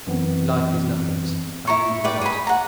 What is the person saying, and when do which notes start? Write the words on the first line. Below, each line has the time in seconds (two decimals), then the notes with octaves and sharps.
Life is nothings; I heed him not.
0.07 F#2 E3 B3 C4
1.67 E4 A#5 C#6
2.04 B4 D5 G5
2.21 G#4 B5
2.47 F#5 A#5